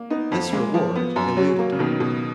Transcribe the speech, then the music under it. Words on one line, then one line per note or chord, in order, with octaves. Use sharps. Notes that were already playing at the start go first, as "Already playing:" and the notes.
This reward eluded him.
Already playing: A#3
B3 D#4
F2
G#3 A#3
F3
B3
F#2
F#3 C#4
A#3
C#3
B2 D#3
B2